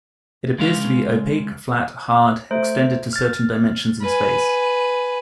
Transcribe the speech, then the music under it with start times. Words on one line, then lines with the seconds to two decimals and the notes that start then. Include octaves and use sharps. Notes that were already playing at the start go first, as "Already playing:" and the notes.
It appears to be opaque, flat, hard, extended to certain dimensions in space.
0.58 C#3 G#3 F5
2.51 A3 C5
3.13 F6 A6
4.01 B4 G#5